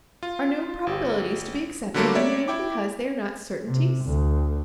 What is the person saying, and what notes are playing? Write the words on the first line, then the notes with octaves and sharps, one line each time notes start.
Are no probabilities to be accepted, merely because they are not certainties?
F4
G1
D3 F#3 G3 A3 A#3
G4 C#5 D5 E5
E4 G5 D6
C3
D2